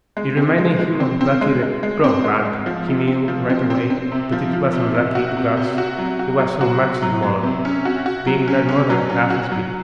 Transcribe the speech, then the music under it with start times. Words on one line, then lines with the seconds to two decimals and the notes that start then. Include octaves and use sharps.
It reminded him of Blacky the Crow, but he knew right away that it wasn't Blacky, because it was so much smaller, being not more than half as big.
0.17 G#3
0.37 C4
0.58 G#3
0.79 G#3
1.00 C4
1.21 C4
1.41 G#3
1.62 G#3
1.83 G#3
2.04 C4
2.24 G#3
2.45 G#3
2.66 F3
2.87 C3
3.07 C4
3.28 F3
3.50 C4
3.70 C4
3.90 C4
4.12 C3
4.32 F3
4.53 F3
4.73 C3
4.94 C3
5.15 F#4
5.37 C3
5.57 C3
5.78 F#4
5.98 F#3
6.19 F#4
6.39 F#3
6.61 F#4
6.82 F#3
7.02 F#3
7.22 F#3
7.43 C3
7.65 C#4
7.85 F#4
8.06 F#4
8.27 F#3
8.48 C#4
8.69 C#4
8.90 F#3
9.10 C#4
9.30 F#4
9.51 F#3